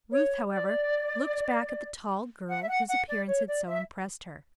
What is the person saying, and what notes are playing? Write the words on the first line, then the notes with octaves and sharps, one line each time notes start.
Ruth, however, looked back at the tall girl whose appearance had so impressed her.
C#5
D5
F#5
E5
F#5
F#5
D5
C#5
D5
E5